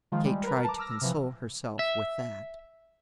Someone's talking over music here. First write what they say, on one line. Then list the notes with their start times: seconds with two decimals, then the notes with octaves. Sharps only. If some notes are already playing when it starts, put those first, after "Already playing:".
Kate tried to console herself with that.
0.12 D#3 F3 G#3 F4
0.25 G3 G#3
0.43 A#4 B4
0.64 A5 A#5 D6
0.78 D6 E6 F6 A#6
1.01 C3 E3 F3
1.79 E5